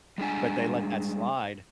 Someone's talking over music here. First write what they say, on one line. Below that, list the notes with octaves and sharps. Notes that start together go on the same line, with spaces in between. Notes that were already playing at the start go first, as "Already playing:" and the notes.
But they let that slide
G3 G#3 D4 G#5